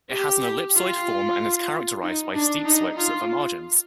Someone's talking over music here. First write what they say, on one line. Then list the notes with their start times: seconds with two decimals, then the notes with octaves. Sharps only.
It has an ellipsoid form and is characterized by steep slopes at the margins.
0.10 G4
0.75 F4
2.01 D#4
2.34 D4
2.65 D#4
2.97 F4